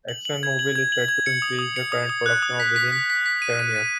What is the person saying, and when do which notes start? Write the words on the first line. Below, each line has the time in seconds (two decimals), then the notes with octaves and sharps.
ExxonMobil is set to increase the current production of within seven years.
0.08 F#7
0.25 F#7
0.43 G#6
0.59 F#7
0.76 G#6
0.92 F#7
1.08 G#6
1.26 C#7
1.42 D#6
1.59 D#6
1.76 C#7
1.92 D#6
2.09 D#6
2.26 F#6
2.42 D#6
2.60 B6
2.76 B6
2.92 B6
3.10 B6
3.26 B6
3.42 D#7
3.59 D#7
3.76 D#7